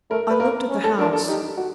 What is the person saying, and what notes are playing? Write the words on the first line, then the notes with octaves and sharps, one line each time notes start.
I LOOKED at the house.
A3 A#4
B4
A#3 A#4
C#4
A4
D4 A#4
A4
D#4 G4
F#4